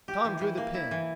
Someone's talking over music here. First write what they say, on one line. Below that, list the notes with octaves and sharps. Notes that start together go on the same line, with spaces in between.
Tom drew the pin.
G4
E3
E3
A#3
E4
E3